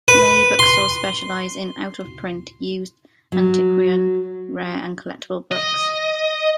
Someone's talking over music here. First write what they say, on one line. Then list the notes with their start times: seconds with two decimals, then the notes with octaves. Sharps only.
Many bookstores specialize in out-of-print, used, antiquarian, rare and collectible books.
0.08 B4
0.59 C6
3.32 F#3
5.51 D#5